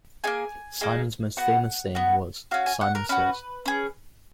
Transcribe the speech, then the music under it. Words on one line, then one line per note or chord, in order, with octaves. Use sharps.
Simon's most famous saying was, Simon says!
A#3 D#4 G#4 G#5
A#3 D#4 G#4
B3 F#4 F#5
B3 F#4
C#4 F#4 F5
G#5
F#5
A#4
C#4 F#4 B4
C#4 G#4